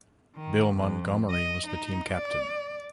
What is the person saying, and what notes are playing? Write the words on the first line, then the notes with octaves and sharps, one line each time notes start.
Bill Montgomery was the team captain.
D#3
F2
D#5
D#4
D5